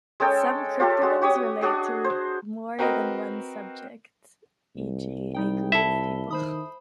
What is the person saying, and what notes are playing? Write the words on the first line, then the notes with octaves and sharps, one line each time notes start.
Some cryptonyms relate to more than one subject, e.g., a group of people.
G#3 C#4 A4 G5
F4 G4 A4
G#3 F#4
F#4 G4 C#5 D#6
D4 F#4 G#4 D#5
C5
C4 F#4 A#4 B4 D#5
C2
G3 D#4 G5
E4 A4 E5 G7
D#3 C5 B5 D#6